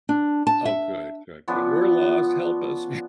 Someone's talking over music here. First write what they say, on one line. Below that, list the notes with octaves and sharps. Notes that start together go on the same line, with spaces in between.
Oh, good, good, good. "We're lost. Help us."
D4
A5
E5
F3 B3 C#4 D4